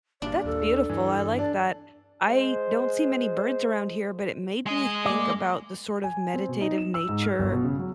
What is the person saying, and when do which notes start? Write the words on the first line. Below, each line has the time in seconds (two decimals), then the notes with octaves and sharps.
That's beautiful, I like that. I don't see many birds around here, but it made me think about the sort of meditative nature
0.22 G1 G2 A#2 D4 D5
0.45 D#2 A4
0.89 G2 E3
1.39 D4 D5
2.26 G#3 C5
4.66 G#3 D#5
5.06 A#3 D5
6.04 G#5
6.34 C4
6.48 B2
6.61 D#4
6.78 E7
6.94 E6
7.09 G#2
7.23 F6
7.39 G1
7.52 B2
7.64 C#3
7.79 F#3